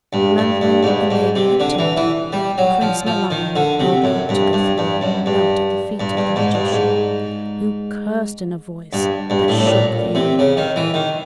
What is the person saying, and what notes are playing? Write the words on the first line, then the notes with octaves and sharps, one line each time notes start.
Remembering what the maiden had told him, Prince Milan walked boldly up to the throne and knelt at the feet of the magician, who cursed in a voice that shook the Underworld.
G2
G2
G2
G#2
G2
G#2
C3
D3
E3
E3
G3
F#3
F3
F3
D#3
D3
C3
F#2
G2
G2
G2
F#2
G2
G2
G2
G#2
G2
G#2
G2
G2
A2
A2
A#2
C3
C#3
D#3
E3
D#3